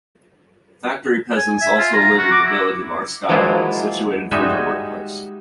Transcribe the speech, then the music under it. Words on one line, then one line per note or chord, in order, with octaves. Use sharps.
Factory peasants also lived in the village of Arskaya, situated from their work place.
G#5
E5
F4
A#5
F#4
D6
E4
F3 F#3 G#3 A#3 E4 F4
G3 G#3 D#4 F#4 E5 G#5